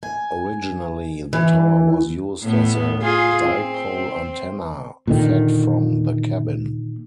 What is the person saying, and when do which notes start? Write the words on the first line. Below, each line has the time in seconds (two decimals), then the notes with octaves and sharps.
Originally the tower was used as a dipole antenna, fed from the cabin.
0.03 G#5
1.33 E3
2.43 A2 B3
3.02 F4 G#4
3.45 C4
5.07 A#2 D3 D#3